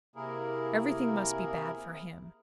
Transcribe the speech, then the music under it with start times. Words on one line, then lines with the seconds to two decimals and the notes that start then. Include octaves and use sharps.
Everything must be bad for him.
0.16 C3 A#3 E4 G#4 A#4